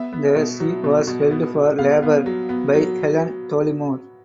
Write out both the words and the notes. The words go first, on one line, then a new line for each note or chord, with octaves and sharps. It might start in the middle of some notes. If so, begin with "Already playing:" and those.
The seat was held for Labour by Helen Dollimore.
Already playing: B3 E5
B3
B2
F#3
B2
B2
B3
B2
B3 F5
B3
F#3
B3
F#3